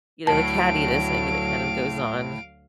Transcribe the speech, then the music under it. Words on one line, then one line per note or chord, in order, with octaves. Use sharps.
you know, the cattiness, maybe, that kind of goes on.
D2 A2 F#3 F5 A5 D7